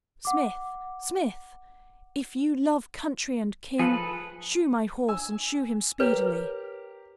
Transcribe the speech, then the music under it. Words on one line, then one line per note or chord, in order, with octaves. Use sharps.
"Smith, smith, if you love country and king, shoe my horse, and shoe him speedily."
F#5 D6
F3 G#4 A4 B4
G#5 E6
G4 A#4 B4 C#5